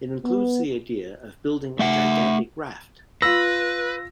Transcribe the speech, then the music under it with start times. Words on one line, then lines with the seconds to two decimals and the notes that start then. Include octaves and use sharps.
It includes the idea of building a gigantic raft.
0.24 B3
1.79 A3 E5 F#5
3.22 F4 B4 E6 A#6